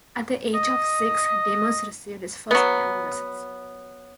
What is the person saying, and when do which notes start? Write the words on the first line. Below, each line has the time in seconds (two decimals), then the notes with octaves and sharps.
At the age of six, Demus received his first piano lessons.
0.54 D#5
2.51 F#3 B3